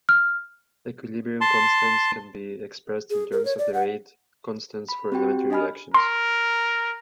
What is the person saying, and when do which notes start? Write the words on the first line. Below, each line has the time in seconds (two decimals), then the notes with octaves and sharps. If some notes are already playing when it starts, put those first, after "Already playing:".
Equilibrium constants can be expressed in terms of the rate constants for elementary reactions.
0.09 F6
1.41 A5 C6
3.10 G#4
3.32 A#4
3.45 C#5
3.59 D5
3.74 F#5
4.89 B5
5.12 C4 F#4 G4 G5
5.50 D4 G4 D#5 G#5 B5 F6
5.94 A#4 C6